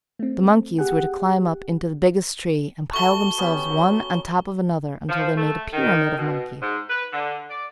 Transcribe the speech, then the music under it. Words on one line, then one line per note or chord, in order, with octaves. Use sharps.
The monkeys were to climb up into the biggest tree and pile themselves one on top of another until they made a pyramid of monkeys.
A3 C4
G4 G#4 F#5
A3 F#4 A5 C#6 G7
B3 C#4 G4
F#3
F3
A3
D#3
B2
G#2
B4
D3
D5